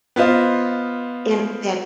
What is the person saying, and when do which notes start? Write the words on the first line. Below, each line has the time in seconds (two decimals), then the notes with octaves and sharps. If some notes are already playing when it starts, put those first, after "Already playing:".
and that
0.16 B3 F4 C5 D#5